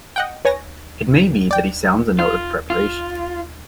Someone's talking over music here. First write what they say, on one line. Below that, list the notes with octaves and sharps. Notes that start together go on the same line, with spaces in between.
It may be that he sounds a note of preparation.
D#5 F#5 G5
B4 C#5 G#5 A#6
D5 G5
F4
F4